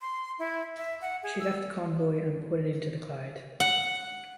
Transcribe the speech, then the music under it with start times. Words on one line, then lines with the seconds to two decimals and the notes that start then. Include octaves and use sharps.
She left the convoy and put in to the Clyde.
0.01 C6
0.39 E4
0.77 E5
1.02 F#5
1.23 G#4
1.40 E6
3.60 F#5